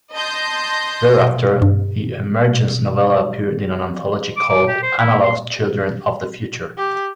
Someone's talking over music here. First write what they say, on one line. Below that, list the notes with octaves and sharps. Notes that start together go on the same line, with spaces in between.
Thereafter the "Emergence" novella appeared in an anthology called "Analog's Children of the Future".
D#5 A5 C6 G6 A#6
G2
D6
D6
G4
C5
E4
C6
G4